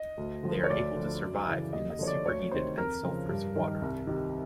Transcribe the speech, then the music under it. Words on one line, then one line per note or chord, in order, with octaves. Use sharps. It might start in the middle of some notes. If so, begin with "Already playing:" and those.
They are able to survive in the superheated and sulfurous water.
Already playing: D#5
D2
D3 F3
C#5
D2 D5
D3 F3
F#2
C#3 E3
D#2 D#5
D#5
D3 F3 C#5
D5
D2 C#5
C3 D#3 C5
F2 A#4
C#3 F3
G2
D#3
C2
C3 D#3